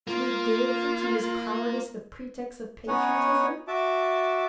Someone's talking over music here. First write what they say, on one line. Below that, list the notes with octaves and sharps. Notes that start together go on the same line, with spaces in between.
Should he give to his cowardice the pretext of patriotism?
A#3 F4
B3 C#4 D#4 C#5 F#5 G#5
F#4 E5 A5 D6